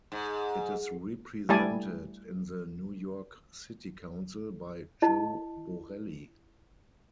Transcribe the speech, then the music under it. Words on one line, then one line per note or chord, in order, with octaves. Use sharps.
It is represented in the New York City Council by Joe Borelli.
G#2
G3 A3 E4 D5 G#5 A5
E4 D#5 A5